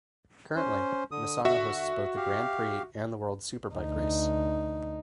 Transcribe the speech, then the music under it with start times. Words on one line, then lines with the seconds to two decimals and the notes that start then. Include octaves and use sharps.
Currently, Misano hosts both the Grand Prix and the World Superbike Race.
0.56 C#4 C5
1.11 D3 D#6
1.45 D3 F#4 E5
2.16 G4 F5
3.74 D2 D#4